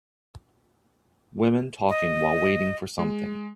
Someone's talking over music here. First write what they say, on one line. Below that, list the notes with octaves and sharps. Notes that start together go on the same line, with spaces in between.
Women talking while waiting for something.
D#5
G#3